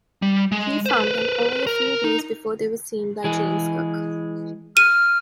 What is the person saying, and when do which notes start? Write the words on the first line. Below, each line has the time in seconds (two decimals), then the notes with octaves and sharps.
He found them only a few days before they were seen by James Cook.
0.22 G3
0.52 G#3
0.86 B4 C5
1.67 A#4
2.04 D#4
3.24 E3 G#3 G#4
4.77 F6 D#7